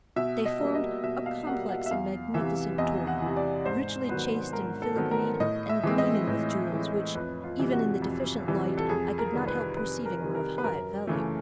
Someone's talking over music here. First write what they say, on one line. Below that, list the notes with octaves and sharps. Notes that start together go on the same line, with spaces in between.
They formed a complex and magnificent toy, richly chased and filigreed, and gleaming with jewels, which, even in the deficient light, I could not help perceiving were of high value.
B2 E5
D#5
G3 A#3
D#5
B2 E5
F5
G3 A#3 F#5
F#5
E5
E2 F5
C3 E3 E5
E2 D#5
F#5
C3 E3
D5
G#2 C5
D#3 F#3 B3 B4
G#2 A#4
A4
D#3 F#3 B3
A#4
A2 D#5
E5
E3 G#3 C4
D#5
A2
E3 G#3 C4
F2 B4
F4
C3 E3 G3
F#4
F2
C3 E3 G3
A4
F2 G#4
A#4
C3 D#3 G3
B4
F2 B4
A#4
C3 D#3 G3
A#4
B4
F#2 A#4
C#3 E3 A3